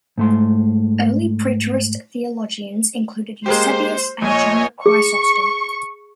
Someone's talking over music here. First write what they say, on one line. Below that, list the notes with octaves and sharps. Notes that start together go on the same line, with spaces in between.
Early Preterist theologians included Eusebius and John Chrysostom.
G#2 A3 C6
G#3 A#3 G4 C5
A#1 A#2 C#5 D#5 G#5
G#4 C#6